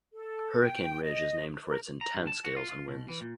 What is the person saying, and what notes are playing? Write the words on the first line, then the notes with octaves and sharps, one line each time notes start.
Hurricane Ridge is named for its intense gales and winds.
A4
G5
D#5
A#4
A#5
G2
A5
F#4
F4
F4
B2
E3
A#2